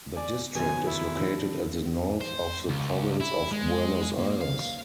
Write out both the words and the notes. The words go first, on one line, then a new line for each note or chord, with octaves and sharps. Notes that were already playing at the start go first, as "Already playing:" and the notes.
The District is located at the north of the Province of Buenos Aires.
D5 G#5
F#2 B2 D#3 F#3 G#5
E4
F3 D4
C5
C#2
E4
G#3
A#3
F5